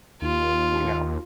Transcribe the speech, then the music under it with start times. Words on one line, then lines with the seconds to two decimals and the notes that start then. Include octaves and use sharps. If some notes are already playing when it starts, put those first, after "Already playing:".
You know?
0.22 D#2 F4